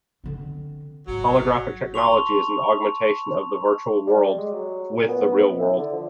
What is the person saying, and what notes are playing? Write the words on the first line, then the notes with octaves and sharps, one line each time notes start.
Holographic technology is an augmentation of the virtual world with the real world.
D3 C4
G#1 F#3
A5 C6 C#6 F7
G3
G#3
F#3
A#2
B3
E4
D3
F3